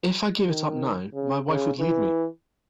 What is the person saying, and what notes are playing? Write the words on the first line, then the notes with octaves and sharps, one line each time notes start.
If I gave it up now, my wife would leave me.
D#3
C#3
C#3
E3